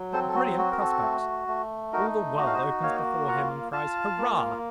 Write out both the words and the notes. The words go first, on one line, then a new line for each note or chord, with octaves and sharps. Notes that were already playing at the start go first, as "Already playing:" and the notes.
What brilliant prospects!" All the world opens before him and cries, "Hurrah!
Already playing: F#3
C4 A4 C5
A4
F#4
F#4
A#4
A4
A3
A3
D#4 F#4 A#4
F#4 D#5
F5
C5 D#5
A#3 C#5 F5
F4 F#5 A#5
F4 F5 A5
A#3